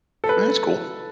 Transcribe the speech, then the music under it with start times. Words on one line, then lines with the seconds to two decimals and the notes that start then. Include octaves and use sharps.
That's cool.
0.24 A4
0.29 B4